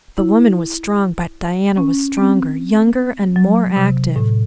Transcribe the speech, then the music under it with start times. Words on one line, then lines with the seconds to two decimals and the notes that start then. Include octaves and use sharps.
The woman was strong, but Diana was stronger, younger and more active.
0.18 E4
1.77 C#4
2.17 C4
3.36 F#3
3.76 C3
4.16 A2